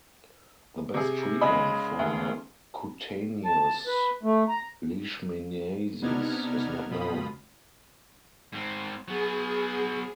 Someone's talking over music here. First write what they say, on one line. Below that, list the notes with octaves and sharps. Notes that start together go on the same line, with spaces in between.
The best treatment for cutaneous leishmaniasis is not known.
C3 G#4
C#3 G#3 D#5 B5
D2
A5
B4
A3
A#5
C3 B3 D4 D#4 F6 G#6
F#2 B2 F4 B5 D#6
G#2 C4
F#3 B3 G#4